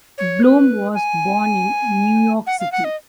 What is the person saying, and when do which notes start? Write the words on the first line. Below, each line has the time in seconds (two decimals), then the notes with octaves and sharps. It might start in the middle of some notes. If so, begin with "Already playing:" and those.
Bloom was born in New York City.
0.18 C#5
0.43 B4
0.94 G#5
2.47 F#5
2.59 F5
2.72 F#5
2.84 D#5